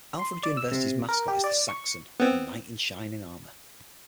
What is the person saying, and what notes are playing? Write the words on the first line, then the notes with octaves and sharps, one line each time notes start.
Alfred University's mascot is the Saxon, a knight in shining armor.
C6
D5
E6
C3
A#4
G4
D5
C#6
B3 C4